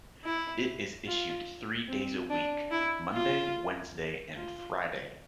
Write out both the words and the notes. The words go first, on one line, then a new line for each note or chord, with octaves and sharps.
It is issued three days a week, monday, wednesday and friday.
E4
F4
C4
D4
E4
F4
F4